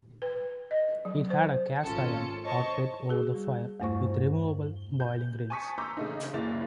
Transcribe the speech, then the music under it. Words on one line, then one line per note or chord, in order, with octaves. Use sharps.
It had a cast-iron hotplate over the fire with removable boiling rings.
B4
D#5
F#3
C5
G#1 C#4 F4 A4 C#7
C5 C#5 D#5 A5 C#6
F#4 G#4
G3
E2 G2 A3 E4 C5 C#6
G6
G#5 A5 C#6 D#6 B6 C#7
A#5 C6 D6 E6 G6 B6
C#3 A3 D#4
F#1 A#2 C#3 E4 A6 F7